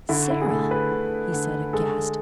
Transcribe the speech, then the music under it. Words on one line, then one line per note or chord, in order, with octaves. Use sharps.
"Sara!" he said, aghast.
D3 E4
E4
G#4
A3 A4
B4
D3
D3
G#3 A4